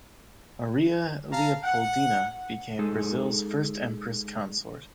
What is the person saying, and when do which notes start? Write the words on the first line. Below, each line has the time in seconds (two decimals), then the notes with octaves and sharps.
Maria Leopoldina became Brazil's first empress consort.
1.32 F5 A5 A#5
1.64 F#5
2.79 G#3 D#4 G#4 A4